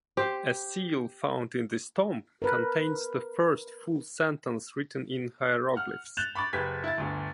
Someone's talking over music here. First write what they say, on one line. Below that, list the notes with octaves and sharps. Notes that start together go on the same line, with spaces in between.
A seal found in this tomb contains the first full sentence written in hieroglyphs.
G4 C5
A#4 B4
F#5 F6
F#6 G6 A6 E7 F7
B5 C#6 D6 A6
F#1 G4 G#4 B4 G#6 B6
E4 A6
G1 D2